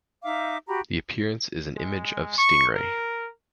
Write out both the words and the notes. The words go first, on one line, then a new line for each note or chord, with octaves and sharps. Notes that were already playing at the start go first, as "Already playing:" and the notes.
The appearance is an image of Stingray.
D#4 E5 F5 D6
F#4 G4 A#5 B5
G#3
C#6
A#4